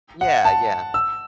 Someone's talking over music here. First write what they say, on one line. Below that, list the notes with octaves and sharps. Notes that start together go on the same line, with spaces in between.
Yeah, yeah.
F#5
A5
E6